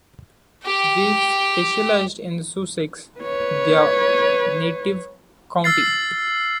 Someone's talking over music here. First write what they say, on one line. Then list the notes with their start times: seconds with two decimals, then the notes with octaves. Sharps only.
They specialised in Sussex, their native county.
0.65 G4 G5
3.20 B4 C#5
5.64 E6 F6 A6 C7